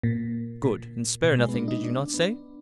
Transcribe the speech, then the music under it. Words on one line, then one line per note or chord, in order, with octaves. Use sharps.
"Good! and spare nothing, did you not say?"
A#2
A#2
B2
G#3
B3
D4
D#4
D4
B3